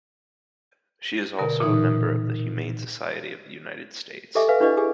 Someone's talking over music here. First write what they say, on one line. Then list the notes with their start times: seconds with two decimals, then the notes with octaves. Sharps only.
She is also a member of the Humane Society of the United States.
1.39 B2 D3 A#4
1.60 A#2 E3 D#4
4.35 G4 A4 D#5 E5 G#5 D6
4.49 B4 E5 F5 G#5
4.60 D4 E4 G4 B4 D5 D#5
4.77 G4 G#4 G#5